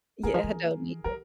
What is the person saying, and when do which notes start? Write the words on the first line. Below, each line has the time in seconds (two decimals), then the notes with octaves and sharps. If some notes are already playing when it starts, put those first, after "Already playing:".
Yeah, I don't need it.
0.23 E3 G#4 A#4
0.34 F3
0.44 E3
1.04 F#3 A#4